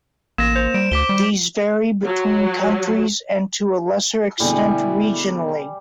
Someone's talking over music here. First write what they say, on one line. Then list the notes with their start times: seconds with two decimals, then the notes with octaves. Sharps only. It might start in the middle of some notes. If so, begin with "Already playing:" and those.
These vary between countries and to a lesser extent regionally.
0.38 A1 A#3 A#6 E7
0.56 C5
0.74 G3 D7
0.91 D2 D6 B6 G7
1.09 G3
2.06 F#3
4.40 B2 D3 G3 A3 E4 G#4